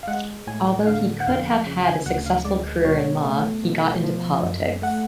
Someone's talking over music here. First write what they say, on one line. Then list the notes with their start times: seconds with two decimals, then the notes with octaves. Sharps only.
Although he could have had a successful career in law, he got into politics.
0.03 F5
0.07 G#3 F#5
0.47 A2 G#5
0.87 D3 F5
1.20 F#5
1.27 F2 F5
1.66 C#3
1.86 G#5
2.06 D2 F#5
2.26 F5
2.45 G#3 D5
2.85 B2 C#5
3.24 A3
3.64 B2
4.04 F3
4.43 F#2
4.82 A3 F#5